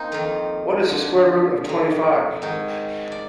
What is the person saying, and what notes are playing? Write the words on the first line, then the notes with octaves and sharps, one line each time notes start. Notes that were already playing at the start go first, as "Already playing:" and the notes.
What is the square root of twenty-five?
Already playing: A#3 C4 D#4
F2 D#3 F4
G2 D3 F3
F2 D#3
G#2 D#3
D5